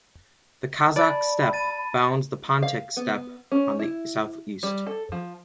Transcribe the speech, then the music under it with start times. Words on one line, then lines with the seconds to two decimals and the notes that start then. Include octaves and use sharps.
The Kazakh Steppe bounds the Pontic steppe on the southeast.
0.96 D5 A5 B5
1.53 A6 D#7
2.63 F5
2.97 B3
3.52 C#4
3.79 E4
4.63 G3
4.87 A4
5.12 F3